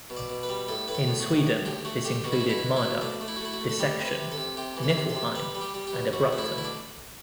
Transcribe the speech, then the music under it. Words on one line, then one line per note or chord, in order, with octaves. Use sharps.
In Sweden, this included Marduk, Dissection, Nifelheim and Abruptum.
B2
D5
B2
B4
G3
A2 A4
A2 B4
A4
A2
F#4
A2
F#3
D3 G4
A3 F#4
D3 G4
B2 F#4
E4
B2 F#4
E4
B2
E4
B2
A3 D4
A3
E4
F#4
A3 E4
F#4
A3
A4
G3 G4
C3
B4
C3
A4
C3
C3 G4
E3
A4
C3
A4
C3
G3 B4
G3
G4
G3
G4
B2
B2 F#4
A3
E4
B2
E4
D4